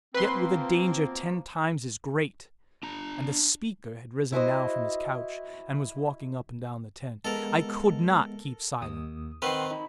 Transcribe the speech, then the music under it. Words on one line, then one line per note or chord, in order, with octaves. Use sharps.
Yet were the danger ten times as great," and the speaker had risen now from his couch and was walking up and down the tent, "I could not keep silent.
B2 F3 A#3 C4 B4 C6
D4 A#5
E4 F#4 G#4 B4 C5 D#5
G#3 B3 A4 A#4
D#2 D#6
D#3 C4 A#4 B4 F#5 C6
D#4 B5